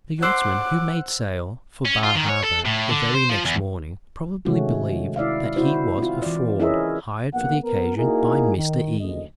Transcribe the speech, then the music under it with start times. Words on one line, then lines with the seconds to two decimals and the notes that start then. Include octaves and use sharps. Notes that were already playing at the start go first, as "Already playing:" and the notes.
The yachtsmen who made sail for Bar Harbor the very next morning, probably believe that he was a fraud hired for the occasion by Mr. E----.
0.23 C5 F#5 D6 E6 F#6
1.85 C#4
2.03 F4
2.15 D#3
2.29 C#5
2.44 A4
2.65 A2
2.90 D3
3.14 C5
3.29 F3
3.45 E2
4.45 C3 D#3 G#3 A3 C#4 F#4
5.16 E4 D5 E5 F5
5.56 C4 E4 F#4 C5
5.98 C4 F4
6.22 E3 D5
6.60 C#4 E4 G#4 A#4 D#5 E5
7.33 A#1 A#3 B3 F#5
7.64 B3 A#4
7.97 A#3 D#4 E4 F#4 G#4 A#4
8.56 D#3
9.00 F#1 D2 D#5